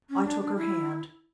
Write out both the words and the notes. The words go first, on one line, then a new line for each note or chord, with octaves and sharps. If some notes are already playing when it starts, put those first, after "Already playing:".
I took her hand.
C#4
D4
D4
E4